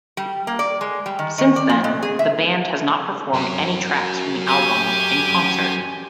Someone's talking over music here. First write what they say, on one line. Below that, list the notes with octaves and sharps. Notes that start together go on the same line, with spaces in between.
Since then, the band has not performed any tracks from the album in concert.
G3
A#3
D5
G#3
G3
D#3
D#3
D5
F3
G#3
G#4
E5
F#3 C#4
G4 G#5